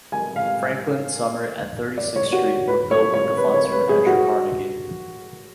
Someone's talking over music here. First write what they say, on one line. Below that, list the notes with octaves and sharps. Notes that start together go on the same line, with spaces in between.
Franklin, Sumner, and Thirty-Sixth Street were built with funds from Andrew Carnegie.
G#5
F5
D5
C#5
F#4
B4
C#5
C#5
B4
C#5
B4
G#4
F#4